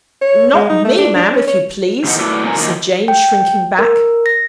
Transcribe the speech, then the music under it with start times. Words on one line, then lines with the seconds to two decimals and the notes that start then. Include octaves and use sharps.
'Not me, ma'am, if you please,' said Jane, shrinking back.
0.21 C#5
0.54 G#3
0.69 D#4
0.84 A3
0.98 D4
1.16 D4
1.33 C#4
1.47 C#5
2.04 D#3 F3 B3 G4 D#5 F#5
2.18 F#3 A3 E4 B4 D5
2.43 G2 B2 C4 A#4 G#5
2.56 D#3 F3 A3 A#3 D#5
3.08 G5
3.79 A#4
4.26 A#6